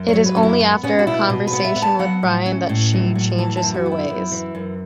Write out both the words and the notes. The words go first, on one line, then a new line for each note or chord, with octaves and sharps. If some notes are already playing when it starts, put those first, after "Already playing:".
It is only after a conversation with Brian that she changes her ways.
Already playing: F#2
F#3 C#5
B4
F#2 C#4
E4
B3
B3 C#4
F#4
B2 E4
B2
B4
B3
E5
B3
A5
F#3 F#5
A2
C#4
A2
F#3
A2
E3 A5
A5
F#2
F#4
B3
E4
F#2
E3
F#2